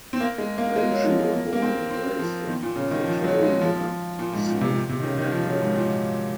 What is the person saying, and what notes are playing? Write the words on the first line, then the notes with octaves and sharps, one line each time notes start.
Velshi was born and raised in Pretoria, South Africa.
C4
A#3
G#3
A#3
G#3
F#3
F3
G#3
A#3
A#3
C4
C4
F3
D#3
A#2
C#3
D#3
F3
F#3
G#3
F3
A#2
G#2
A#2
C3
A#2
C3
D#3
C#3
D#3
F3
F#3
G#2
A#2